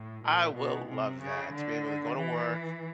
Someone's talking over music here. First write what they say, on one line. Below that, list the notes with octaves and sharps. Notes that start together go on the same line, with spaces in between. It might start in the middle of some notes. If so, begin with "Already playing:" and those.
I will love that to be able to go to work,
Already playing: A2
A#2
B2
C3
C#3
D3
E3